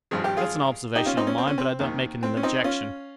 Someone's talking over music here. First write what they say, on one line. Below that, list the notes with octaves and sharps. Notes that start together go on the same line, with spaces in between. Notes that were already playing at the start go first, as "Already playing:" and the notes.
That's an observation of mine, but I don't make it an objection.
G#1 G2 F3 G#4
G4
F4 G#4
D#4 G4
C#4 F4
C4 D#4
C#4
C4
C#4
C4
D#2 D#3
C4
C#4
C4 D#4
C#4 F4